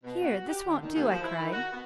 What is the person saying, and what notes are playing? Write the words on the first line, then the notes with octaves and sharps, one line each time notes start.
'Here, this won't do,' I cried.
B2
F#4
G4
D3
D#3
D#2
F3
E4
D#3
F#4
B3